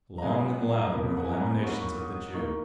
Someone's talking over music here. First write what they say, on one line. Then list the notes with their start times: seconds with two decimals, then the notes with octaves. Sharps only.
Long and loud were the lamentations of the Jew.
0.18 A#5
0.22 F#2 C#3 G#3 G#5
0.46 F#5
0.70 A#5
0.93 F2 C#3 F3 A#3 B5
1.17 F#5
1.25 G#5
1.32 A#5
1.40 B5
1.63 G#2 F#3 A#3 C#6
1.72 B5
1.81 C#6
1.99 D#6
2.34 D#2 D#3 A#3 C#6